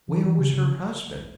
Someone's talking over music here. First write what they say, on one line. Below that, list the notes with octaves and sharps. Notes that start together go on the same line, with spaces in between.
Where was her husband?
E3
E3
C#3
C#3